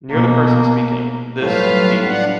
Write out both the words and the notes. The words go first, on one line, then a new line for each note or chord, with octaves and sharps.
Near the person speaking: “this”, “these”.
B2 A#3
A2 C#3 F#3 G3 F4 B4 F5
D4 F#5